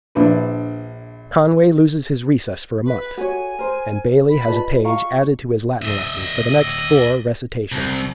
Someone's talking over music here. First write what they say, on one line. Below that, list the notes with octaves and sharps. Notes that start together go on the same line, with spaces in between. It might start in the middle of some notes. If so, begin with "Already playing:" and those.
Conway loses his recess for a month, and Bailey has a page added to his Latin lessons for the next four recitations.
A#1 D4 E4 B4
B4
F#4 A4 C#5 G#5
A#4 C5
B5
F4 B4 D5 D#5 A5
F5 A5 A#5 C#6
D#5 E5
C2